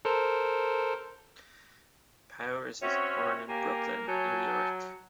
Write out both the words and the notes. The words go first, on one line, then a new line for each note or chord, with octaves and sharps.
Powers was born in Brooklyn, New York.
A4 A#4 C5
C4 C#4 F#4 C#5 E5
A#3 G4 G#5
F#3 G#5 A5 G6